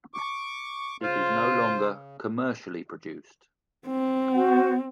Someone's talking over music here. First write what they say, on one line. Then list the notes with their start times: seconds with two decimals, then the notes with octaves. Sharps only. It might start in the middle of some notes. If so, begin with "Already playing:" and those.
It is no longer commercially produced.
0.14 C#6 D6
1.02 C#3 F4 C5
3.87 C4
4.33 F#4 C5 F#5